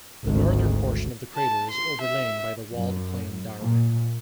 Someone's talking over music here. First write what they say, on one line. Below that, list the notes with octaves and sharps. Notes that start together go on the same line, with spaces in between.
The northern portion of the crater is overlain by the walled plain Darwin.
G#1 D2
A5
C6
E5
F#2
A#2